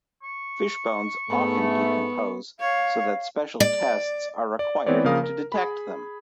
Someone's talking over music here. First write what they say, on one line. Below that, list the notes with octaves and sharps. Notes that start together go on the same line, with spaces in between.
Fish bones often decompose so that special tests are required to detect them.
C#6
G#2 A3 B3
C#5 F5
D5
D5
E3 B3 C4 B4 C#5 D5
C#3 F3 A#3 A#4 F5 D#6
A#4
G#4 B5